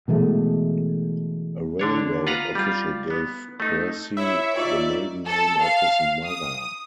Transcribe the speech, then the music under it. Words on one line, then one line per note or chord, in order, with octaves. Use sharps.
A railroad official gave Kersey the maiden name of his mother.
B2 E3 G#3 A3
D3 D4 C#5
F4 B4 F#5 A#5
G3 F4
B3
A3 D#4
E4 C#5 E5
D#4 F4 D5 C#6
A4
F5
D#6